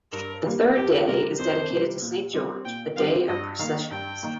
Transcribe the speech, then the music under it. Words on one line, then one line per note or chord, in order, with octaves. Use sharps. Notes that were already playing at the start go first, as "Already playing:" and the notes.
The third day is dedicated to St. George, a day of processions.
G2 A#4
G3 A#3
F2 G4
C3 G3 A#4
F2 C5
C3 G3
A#2
G3 C4 G4
A#2 G5
G3 C4 G4 F5
G2 D#5
D#3 A#3 F5
G2 G5
D#3 A#3